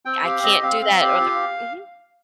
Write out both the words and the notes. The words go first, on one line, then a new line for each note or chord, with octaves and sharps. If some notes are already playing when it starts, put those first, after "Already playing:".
I I can't do that, or the mhm.
C4 G5
G4 F5
C4 D#5
C4 F5
C4
G4
F4